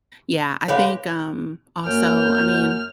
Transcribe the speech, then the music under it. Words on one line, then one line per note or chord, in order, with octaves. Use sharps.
Yeah, I think, um, also, I mean
G#3 G4 B4 C#5 F5 F#5
F#2 A#3 F6 G6